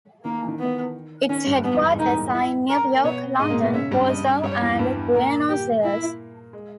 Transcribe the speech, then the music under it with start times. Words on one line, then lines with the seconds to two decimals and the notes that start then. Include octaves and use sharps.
Its headquarters are in New York, London, Warsaw and Buenos Aires.
0.25 D#3 A#3
0.43 E3
0.48 D#3
0.59 B3
1.29 D#3 C#4
1.46 G2 G3
1.64 G2 G3 B3
1.73 E2 E3
1.81 G2 G3
1.90 G#2 G#3
1.99 A#2 A#3 D#4
2.34 E4
2.69 A#4
2.95 A#3
3.04 B2 B3 C#5
3.39 G#2 G#3 D#5
3.50 A#2 A#3
3.62 B2 B3
3.74 C#3 C#4 E5
3.91 G2 G3
4.09 D#5
4.43 G2 G3 C#5
4.61 E2 E3
4.74 E3
4.79 G2 G3 B4
5.13 A#2 A#3 A#4
5.49 G4
5.84 E4
6.53 G#3